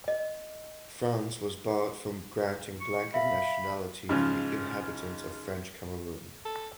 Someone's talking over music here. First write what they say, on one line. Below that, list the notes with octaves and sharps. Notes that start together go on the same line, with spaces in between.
France was barred from granting blanket nationality to the inhabitants of French Cameroun.
D#5
C#6
E5 F5 B5
G#2 C#3 F3 G#3
A4